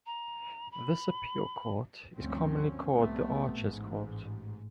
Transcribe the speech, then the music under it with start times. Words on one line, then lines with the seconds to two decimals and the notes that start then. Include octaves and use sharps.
This appeal court is commonly called the Arches Court.
0.06 A#5
0.72 B5
2.18 D2 G2 F3 C4 C#4
2.94 C2 C3 A3 B3
3.59 A1 G#2